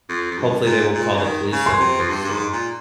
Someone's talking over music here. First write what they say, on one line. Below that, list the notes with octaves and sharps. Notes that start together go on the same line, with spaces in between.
hopefully they won't call the police on you, so
F2
F2
G2
A#2
A#2
C#3
D#3
C#3
C6
C3
F2
G2
G2
G#2
A#2